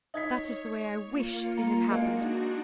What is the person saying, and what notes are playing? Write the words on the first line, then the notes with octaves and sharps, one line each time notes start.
That is the way I wish it had happened.
D#4 C#5 G#6 B6
A#3 F4 C#7
A#5
G#3 A#3 D4 D#4 F#4